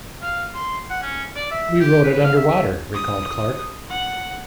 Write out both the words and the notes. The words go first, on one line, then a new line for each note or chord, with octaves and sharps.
"We wrote it underwater," recalled Clarke.
F5
C6
F#5
C#4
D5
E5
G4
B4
F5
E5
D#6
F#5